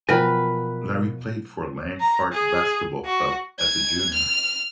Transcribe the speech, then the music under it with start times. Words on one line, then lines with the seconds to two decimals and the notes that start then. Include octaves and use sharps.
Larry played for Lang Park Basketball club as a junior.
0.09 B2 F3 F#3 A#4 B4 G5 G#5 B5
2.00 A#5
2.32 G#4
3.05 F#4
3.59 G#6
4.14 F6